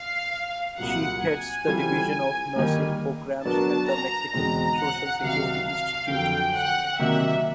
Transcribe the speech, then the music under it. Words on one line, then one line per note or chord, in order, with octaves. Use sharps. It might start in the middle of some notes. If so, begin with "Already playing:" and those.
She heads the Division of Nursing Programs at the Mexican Social Security Institute.
Already playing: F5
C2 A#2 F#3 F#5
G#5
E3 G3 C4 F4 A4
D#3 G3 A#3
F#3 B3 D4 F#4 A#4 A5
A#5
E2 B2 G#3 C4 D#4 A#5
F#5
C2 C3 D#3 F#3 F5
F5
F2 D3 F#3 G5
F#5
C3 D#3 F#3 A#3 E5